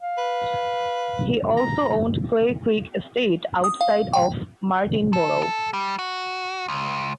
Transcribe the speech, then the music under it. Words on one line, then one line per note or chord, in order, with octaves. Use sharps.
He also owned Clay Creek Estate outside of Martinborough.
F5
B4
A#5
D#6
F5
G5
A4
A4
G3
F#4
C#2